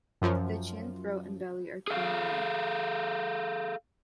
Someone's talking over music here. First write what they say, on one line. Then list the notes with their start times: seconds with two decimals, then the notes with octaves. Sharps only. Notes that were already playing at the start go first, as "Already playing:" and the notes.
The chin, throat and belly are creamy white.
0.22 F#2 F3
1.88 G#4 A4 E5 F5